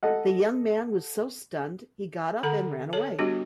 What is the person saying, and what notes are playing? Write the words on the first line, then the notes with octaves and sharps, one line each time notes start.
The young man was so stunned he got up and ran away.
A4 D#5 F#5
D3 A4 F#5 A#5
A4 C#5 A5
G3 B3 D4 F#4 G4